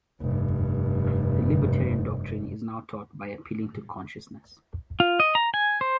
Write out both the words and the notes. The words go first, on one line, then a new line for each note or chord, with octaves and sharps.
The libertarian doctrine is now taught by appealing to consciousness.
F1 G2
F4
D#5
A#5
G#5
C5